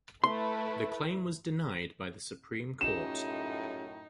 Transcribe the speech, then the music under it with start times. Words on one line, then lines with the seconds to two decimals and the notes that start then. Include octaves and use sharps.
The claim was denied by the Supreme Court.
0.24 A3 E4 B4 C6
2.81 F#2 A2 C#4 D#4 F4 G4 E7